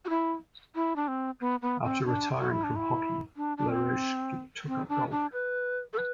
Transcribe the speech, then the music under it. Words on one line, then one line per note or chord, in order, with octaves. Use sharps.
After retiring from hockey, Larouche took up golf.
F#4
E4
E4
D4
C4
B3
B3
C4
D4
F#4
E4
D4
E4
D4
D4
C4
C4
D4
D4
B4
A4
B4